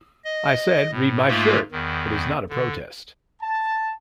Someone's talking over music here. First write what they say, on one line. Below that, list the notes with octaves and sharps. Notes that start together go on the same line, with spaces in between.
I said, 'Read my shirt, it is not a protest.
D#5
A2
G#2 A3 A#3 F4
E2 D#3
D3
A5